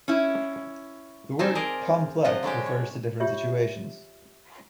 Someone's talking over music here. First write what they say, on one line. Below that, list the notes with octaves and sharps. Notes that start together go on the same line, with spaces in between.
The word "complex" refers to different situations.
C#4 E4
C4 D#4 A4 C5 G#5
G#4 A#4 D5 D#5
C3 F3 F4 D#5 F#5
D3 F#3 G#3 G4
C#5
F4 G4 C#5 E5